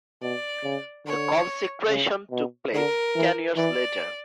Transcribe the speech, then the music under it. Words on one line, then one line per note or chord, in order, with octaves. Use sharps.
The consecration took place ten years later.
B2 D5
C#3
D3 C#5
C#3
B2
D3 A#4
E3
E3 D5